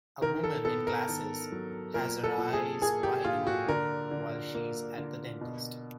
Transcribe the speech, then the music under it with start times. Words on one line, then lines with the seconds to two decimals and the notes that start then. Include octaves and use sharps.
A woman in glasses has her eyes wide open while she is at the dentist.
0.21 D#3 A#4
0.43 A4
0.65 B3 A4
0.87 A#4
1.09 D#3
1.52 F#3
1.94 A#2 A#4
2.24 A4
2.38 A#2
2.53 G#4
2.81 A#3 G#4
3.03 G4
3.24 A#2 F4
3.47 F#4
3.68 D3 A#4
4.11 D3
4.55 A#3
4.98 D3
5.41 B2